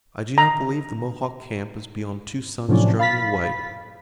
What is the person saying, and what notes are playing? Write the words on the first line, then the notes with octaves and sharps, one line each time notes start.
I do not believe the Mohawk camp is beyond two suns' journey away.
A#5
A2 C3 F3 F#3 C#4 D4
F5 B5 A6 B6